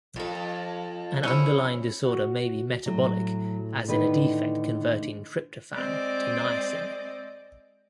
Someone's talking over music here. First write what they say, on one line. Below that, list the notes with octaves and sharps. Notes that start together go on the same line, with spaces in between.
An underlying disorder may be metabolic as in a defect converting tryptophan to niacin.
F2 F3 F4 A4
C4 C#4 E4 G#4
F#4
A2 F#3
D3 D#3 B4
G#3 C4 D5 D#5